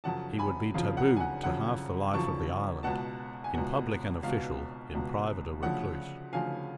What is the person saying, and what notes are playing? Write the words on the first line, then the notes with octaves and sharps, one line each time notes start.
He would be taboo to half the life of the island--in public an official, in private a recluse.
F#2 C#3 F3 F#5 A5
G#5 B5
F#2 C#3 F3 F5
F#5
G#5
F#5
F#2 C#3 F3 F#5
F#2 C#3 F3 A5 C#6
C#2 B2 F#5 A5
G#5
C#2 B2 F#5
C#2 B2 F5
C#2 B2
D2 C#3 F3 F#5
D2 C#3 F3 F5 G#5